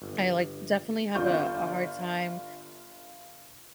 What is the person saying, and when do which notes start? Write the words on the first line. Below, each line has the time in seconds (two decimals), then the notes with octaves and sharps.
like definitely have a a hard time
0.02 G1
1.15 G1 F4 D5 C#6 G6